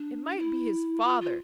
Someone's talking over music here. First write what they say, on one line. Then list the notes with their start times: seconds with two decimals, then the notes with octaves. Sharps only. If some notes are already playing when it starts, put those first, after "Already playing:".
It might be his father!
Already playing: D4
0.37 E4
1.03 F4
1.20 F4